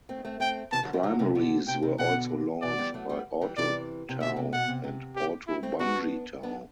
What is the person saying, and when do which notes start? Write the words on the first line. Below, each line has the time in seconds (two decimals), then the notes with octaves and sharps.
Primaries were also launched by auto-tow and auto-bungee tow.
0.09 A3 C4
0.25 A3 C4
0.40 A3 C4 G5
0.72 C3 E3 A5
0.83 D3 F#3
0.93 E3 G3
1.03 D3 F#3
1.19 C3 E3
1.35 B2 D3
1.67 C3 G5
1.82 C3
1.98 B2 D3 F#5
2.62 B2 D5
2.78 E3 G3
2.94 F#3 A3
3.09 G3 B3
3.41 E3 G3
3.57 C3 E3 D5
4.09 C3
4.21 B2 D3 E5
4.36 C3
4.52 B2 F#5
4.68 C3
4.84 C3
5.16 G4
5.47 E4
5.63 A3 C4
5.79 B3 D4 F#4
6.43 B3 D4